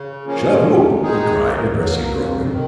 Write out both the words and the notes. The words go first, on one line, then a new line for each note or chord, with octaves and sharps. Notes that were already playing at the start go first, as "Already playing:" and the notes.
"Shut oop!" he cried, addressing Grogan.
Already playing: C#3
F3 A#3 C#4
C3
D#3 G#3 D#4 G#4
D#3
F#3 A#3
F2
D#3